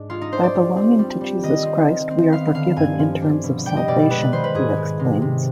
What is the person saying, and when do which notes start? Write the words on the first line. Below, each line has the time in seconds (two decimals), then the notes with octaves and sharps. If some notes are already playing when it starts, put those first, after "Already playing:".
"By belonging to Jesus Christ, we are forgiven in terms of salvation," he explains.
Already playing: G#2 D4
0.10 G#3 F4
0.21 D#4
0.32 D4 C5
0.43 D5
0.54 G3
0.77 C4
0.99 G3
1.21 G3
1.43 D#3 D#5
1.66 C4
1.88 D#3
2.10 C4
2.32 B3 F5
2.54 D3 F5
2.76 G2 G#5
2.99 F3
3.22 D4
3.44 B2
3.66 G3 G5
3.77 D#5
3.88 B2 D5
3.99 D5
4.10 G#3 B4
4.21 B4
4.32 D#3 C5
4.44 B4
4.54 G#2 G#4
4.77 G#3
4.99 C3
5.22 C3